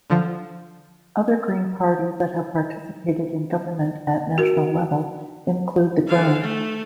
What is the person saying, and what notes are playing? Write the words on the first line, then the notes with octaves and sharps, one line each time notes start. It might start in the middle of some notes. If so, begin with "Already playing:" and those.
Other Green parties that have participated in government at national level include the Groen!
D3 F3
F#4 A#4
D3 F5
A3